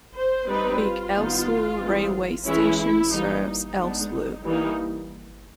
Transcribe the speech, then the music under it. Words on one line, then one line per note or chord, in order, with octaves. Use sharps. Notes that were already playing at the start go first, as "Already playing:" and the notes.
Beek-Elsloo railway station serves Elsloo.
C5
G3 C4 D#4 B4
F4
D#3 G3 B3 D#4
E3 G#3 C4 D#4
E3 G#3 C#4 E4
E4
E3 G3 A#3 D#4
D#4
G#3 B3 D4
E3 G3 A#3 D#4